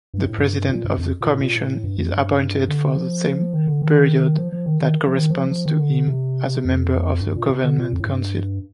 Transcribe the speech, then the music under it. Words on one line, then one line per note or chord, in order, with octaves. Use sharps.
The president of the Comission is appointed for the same period that corresponds to him as a member of the Government Council.
G2
A2
G2
A#2
G2
F2
A#2
A2
A#2
A2
G2
F2
G2
D3
F3
D#3
D3
D#3
F3
F3
D#3
D#3
F3
D#3
F3
F3
D#3
D3
C3
F2
G2
A#2
C3
D3
A#2
F2
A2
G2